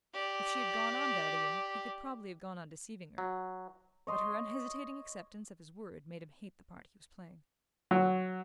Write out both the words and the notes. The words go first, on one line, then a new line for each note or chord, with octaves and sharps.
If she had gone on doubting him he could probably have gone on deceiving her; but her unhesitating acceptance of his word made him hate the part he was playing.
G4 D5
F#3
C#5 D#5 C6
F#3